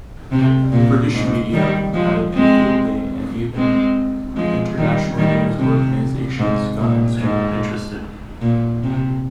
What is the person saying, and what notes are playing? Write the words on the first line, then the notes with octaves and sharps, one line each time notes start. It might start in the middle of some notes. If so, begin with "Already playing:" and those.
British media had a field day and even international news organizations got interested.
C3
A#2
G#2
D#3 G3
F3 G#3
G#3 C4
G#3 C4
F3 G#3
D#3 G3
D#3 G3
C3
G#2
A#2
G#2
A#2
C3